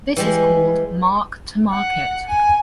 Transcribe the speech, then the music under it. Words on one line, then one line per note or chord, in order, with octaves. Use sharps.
This is called "mark to market".
E3 G3 G#3
F#5
G#5